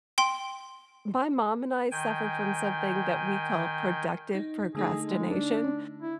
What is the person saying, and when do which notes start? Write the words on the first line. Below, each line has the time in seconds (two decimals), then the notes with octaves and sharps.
My mom and I suffer from something that we call "productive procrastination,"
0.18 G5 C6
1.91 D#3 G5 G#5
4.35 D#4
4.75 D3 A3 D#4 G#4
5.05 G#3
5.29 D4
6.02 E4